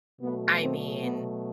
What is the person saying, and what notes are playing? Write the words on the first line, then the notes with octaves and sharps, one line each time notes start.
I mean,
B2 F#3 A3 B3
C4
B3